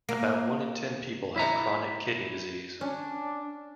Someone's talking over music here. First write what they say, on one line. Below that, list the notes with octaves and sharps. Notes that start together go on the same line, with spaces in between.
About one in ten people have chronic kidney disease.
A#3
E4 E5 A#5
C#4 D4